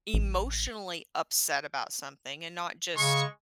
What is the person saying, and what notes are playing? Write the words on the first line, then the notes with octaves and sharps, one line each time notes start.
emotionally upset about something and not just
A1
C#3 G#3 C#6